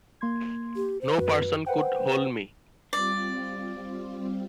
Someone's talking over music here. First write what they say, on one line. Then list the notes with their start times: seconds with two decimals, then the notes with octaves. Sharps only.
No person could hold me.
0.21 A#3 C6 G#6
0.76 G4
1.01 C5
1.18 F#2 F#4 B4
1.66 B4 C5 F#5 G5
2.93 G3 C4 F4 D5